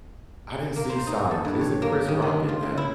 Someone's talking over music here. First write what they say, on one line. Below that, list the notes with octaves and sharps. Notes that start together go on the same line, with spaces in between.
I didn't see signs, isn't Chris Rock in that?
A#3
C5
D#4
A4
G2
C#5
A#3
D#3
D#3
F4
C#3
E4